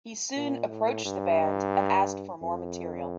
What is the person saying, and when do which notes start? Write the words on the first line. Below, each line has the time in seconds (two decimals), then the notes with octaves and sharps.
He soon approached the band and asked for more material.
0.36 A#2
0.69 A2
1.05 G2
2.42 F2